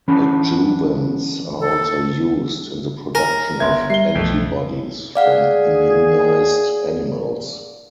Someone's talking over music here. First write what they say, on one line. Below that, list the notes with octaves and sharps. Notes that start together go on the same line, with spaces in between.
Adjuvants are also used in the production of antibodies from immunized animals.
E3 C#4 D4 B5
A4
A#4 G#5
G1 E5 C6 G#6
G3 E5 C7 G7
B1 F2 A3
G#4 D5 F5 F#5